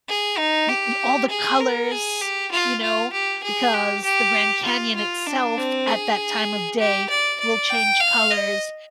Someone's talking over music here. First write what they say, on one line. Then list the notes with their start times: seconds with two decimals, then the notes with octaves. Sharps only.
Y y all the colors, you know, because the Grand Canyon itself, at that time of day will change colors,
0.08 G#4
0.38 D#4
0.69 G4
1.30 G#4
1.60 A#4
1.91 G#4
2.21 G4
2.52 F4
2.82 F4
3.13 G4
3.43 G#4
3.74 G4
4.04 G4
4.65 F4
4.96 F4
5.26 D4
5.57 C4
5.87 G#4
6.79 G4
7.10 D5
7.40 D5
7.70 G5
8.00 F5
8.30 D#5